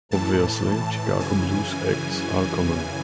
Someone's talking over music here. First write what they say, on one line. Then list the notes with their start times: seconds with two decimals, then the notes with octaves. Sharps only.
Obviously, Chicago blues acts are common.
0.11 A2 E3 A5
1.20 F#2 C#3 E3 G#5